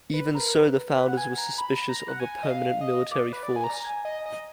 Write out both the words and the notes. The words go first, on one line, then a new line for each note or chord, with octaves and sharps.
Even so, the Founders were suspicious of a permanent military force.
B4
A#4
A#4
B4
B4
F#5
G#5
A#5
B5
A#5
F#5
G#5
D#5
F5
D#5
D5
B4
D5
G#5
A#5
G#5
D#5
D#5